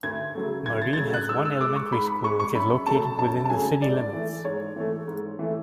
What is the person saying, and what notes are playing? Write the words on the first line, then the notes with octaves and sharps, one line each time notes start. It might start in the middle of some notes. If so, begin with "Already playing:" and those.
Marine has one elementary school which is located within the city limits.
D2 G#6
C#3 F#3 A3
D2 G#6
A6
A6
C#3 F#3 A3 G#6
F#6
G#2 E6
E6
G#3 D6
C#6
G#2 B5
B5
G#3 C#6
C#6
F#2 B5
C#3 F#3 A3 A5
F#2 A5
A5
C#3 F#3 A3 G#5
G#2 D5
E3 A3
G#2 C#5
E3 A3
G#2
E3 A3